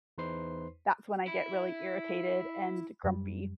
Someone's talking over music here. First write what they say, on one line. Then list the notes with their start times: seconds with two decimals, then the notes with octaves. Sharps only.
that's when I get really irritated and grumpy.
0.18 E2 D#4 B4 C5 C6 C7
1.28 E4
3.04 F#2 G3